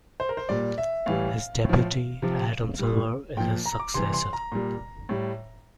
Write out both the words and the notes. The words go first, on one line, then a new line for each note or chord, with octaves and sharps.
His deputy, Adam Silver, is his successor.
C5
A#4
C5
A#2 G3 D5
E5
A2 E3 G3 F5
A2 F3
C3 F3
A#2 G3
A#2 F3 G5
A#5
D6
C3 E3 G3 C6
C6
A#5
A#2 G3
A2 G3